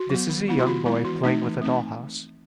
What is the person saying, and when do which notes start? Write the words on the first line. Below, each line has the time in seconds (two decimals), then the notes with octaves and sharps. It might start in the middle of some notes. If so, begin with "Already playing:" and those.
This is a young boy playing with a dollhouse.
Already playing: F#4
0.10 F#3 B3
0.29 D#3
0.48 G#3 B3 E4
0.59 F#4
0.67 D#3 F4
0.86 G#3 B3 E4
1.05 E3 F#4
1.23 A3 C4 D#4
1.41 E3
1.61 A3 C4 D#4